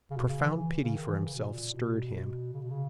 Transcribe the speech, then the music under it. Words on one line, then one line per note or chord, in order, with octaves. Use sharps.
A profound pity for himself stirred him.
C#3
B2
C#3
E3
E3
C#3
D#3
E3
C#3
B2
A#2
B2
C#3
B2
C#3